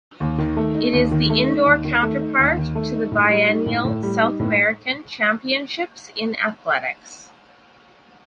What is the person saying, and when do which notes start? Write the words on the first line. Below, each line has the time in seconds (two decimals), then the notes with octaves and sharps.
It is the indoor counterpart to the biennial South American Championships in Athletics.
0.20 D#2
0.38 D#3
0.57 A3
0.75 D#4
0.93 D#2
1.11 D#3
1.30 A3
1.48 D#4
1.66 D#2
1.85 D#3
2.03 A3
2.20 D#4
2.39 D#2
2.57 D#3
2.75 A3
2.94 D#4
3.12 A2
3.30 G3
3.48 D#4
3.66 A2
3.85 A2
4.03 G3
4.21 D#4
4.40 A2